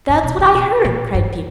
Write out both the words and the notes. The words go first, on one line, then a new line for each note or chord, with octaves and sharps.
"That's what I heard," cried Peter.
G2
B2
C#3
B2
A#2
G2